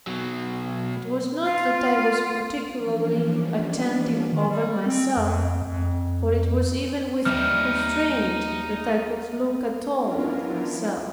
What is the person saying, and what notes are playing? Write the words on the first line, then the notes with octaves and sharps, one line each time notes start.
It was not that I was particularly attentive over myself, for it was even with constraint that I could look at all at myself.
B2 F#3
F4
E3 F3 G3 A#3 C#4 D4
D#3
G3
C4
F2
F2
D#2 G3 D#4 E5 F6
B3 C#4 D4 E4 F4 A#4